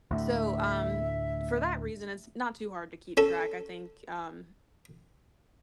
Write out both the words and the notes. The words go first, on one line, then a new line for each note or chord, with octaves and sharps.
So, um, for that reason, it's not too hard to keep track. I think, um,
D2 A2 E5
C#4 A4